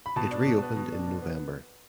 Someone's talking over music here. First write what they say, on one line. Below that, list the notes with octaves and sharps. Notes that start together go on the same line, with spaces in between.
It reopened in November.
B5
B2 A5
D4
B2
B3
B2
D4
B2
B3